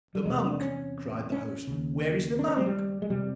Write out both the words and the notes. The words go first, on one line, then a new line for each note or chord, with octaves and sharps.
"The monk!" cried the host; "where is the monk?"
G3
E2 C3 G#3
D4
C#4
C#4
D#2 C#3
D4
C#4
C4
G3
G#3
F2 C3 G3